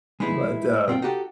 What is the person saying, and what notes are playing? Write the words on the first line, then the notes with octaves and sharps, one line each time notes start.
but, uh,
G#3 B3 D#4 E4 G#4
B2 C4 F4 G5
D#4 F#4 G4 A4